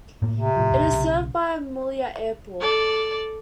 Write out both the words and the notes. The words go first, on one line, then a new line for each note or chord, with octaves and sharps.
It is served by Mouila Airport.
A2 A#3
C3
A2 F3
E1 A#1 D#2
B1 C#3
A4 D5